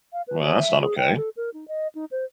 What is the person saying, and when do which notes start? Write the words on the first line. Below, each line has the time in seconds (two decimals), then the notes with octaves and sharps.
Well, that's not okay.
0.13 F5
0.28 B4
0.43 C#5
0.57 E5
0.81 G#4
0.98 G5
1.17 A4
1.37 A#4
1.54 D#4
1.68 D#5
1.95 D#4
2.11 C5